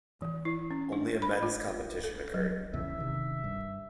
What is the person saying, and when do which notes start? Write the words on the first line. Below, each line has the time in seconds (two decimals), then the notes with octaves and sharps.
Only a men's competition occurred.
0.22 E3
0.45 E4
0.71 C#4
0.93 D4
1.22 B5
1.43 F4
2.04 A4
2.34 F#3
2.73 A#1 E2 C#3 E5
2.97 C3 D#3
3.44 G2